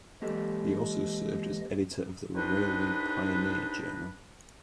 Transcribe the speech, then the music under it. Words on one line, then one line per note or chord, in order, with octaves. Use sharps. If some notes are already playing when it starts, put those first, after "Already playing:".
He also served as editor of "The Railway Pioneer" journal.
E3 G#3 A#3 G4 A4 D#5
C2 D4 D#4 B4